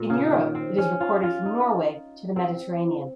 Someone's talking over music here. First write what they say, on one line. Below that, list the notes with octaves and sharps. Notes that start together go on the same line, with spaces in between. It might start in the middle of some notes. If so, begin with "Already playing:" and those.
In Europe it is recorded from Norway to the Mediterranean.
Already playing: A#2
C#3
D#3
C4
C#4
F4
F4
D#4
C4